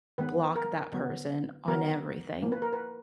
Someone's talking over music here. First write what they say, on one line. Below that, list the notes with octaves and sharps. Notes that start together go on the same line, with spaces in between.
block that person on everything,
D#3 G#3 B3 B4
A#4
D3 F#3 B3
D3 F#3 B3 A#4
F3 A#3
B4
A#4
B4